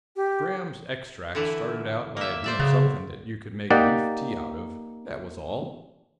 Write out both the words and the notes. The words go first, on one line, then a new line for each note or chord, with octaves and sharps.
Graham's Extract started out by being something that you could make beef-tea out of--that was all.
G4
D3 E3 E4
A#3 E5
C5 D5 E5
C#3 F#3
A#3 D#4 G4 D5 F#5